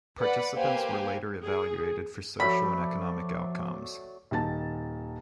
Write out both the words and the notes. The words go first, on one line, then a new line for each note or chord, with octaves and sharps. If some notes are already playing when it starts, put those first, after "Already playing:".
Participants were later evaluated for social and economic outcomes.
B4 D5 F#5 B5
A#3 G4 B4 C5 F5 G#5
G#4
F3 F#3 A3 D5 B5
D#1 D#3 A5 A6